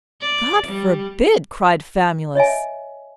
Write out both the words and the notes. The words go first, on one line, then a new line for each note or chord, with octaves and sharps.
"God forbid!" cried Famulus.
D5
G3
C#5 D#5 E5 G#5